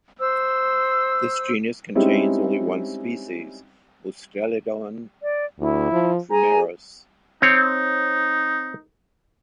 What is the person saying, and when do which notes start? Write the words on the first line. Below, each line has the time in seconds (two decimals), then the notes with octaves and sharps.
This genus contains only one species, "Mustelodon primerus".
0.19 C5 E6
1.95 G3 G#3 C4 C#4 D#4 E4
5.22 D5
5.59 D2 E4
5.92 F3
6.31 G#4 G#5 A#5
7.42 C4 D#4 C#5